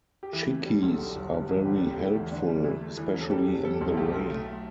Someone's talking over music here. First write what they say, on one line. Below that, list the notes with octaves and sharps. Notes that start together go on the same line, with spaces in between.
Chickees are very helpful, especially in the rain.
G4
E3 E4
A3
G3
B1
A4
D3 G4
G1
G3
A1
D3 G4
A4
G3 G4
G4
A3 E4
E2
D3 D4
G3
E3 E4
A3
E3
E1
A4
G3 G4
G1
G3 A4
B1 A4
E4
A3 G4
B1
A3